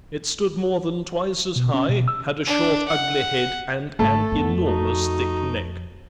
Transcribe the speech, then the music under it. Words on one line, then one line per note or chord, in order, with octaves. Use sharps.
It stood more than twice as high, had a short, ugly head, and an enormous thick neck.
B2
C#4
B2
E6
D4
F#5
G#1 A3 A4 A5
F2 B3
D#4 F#4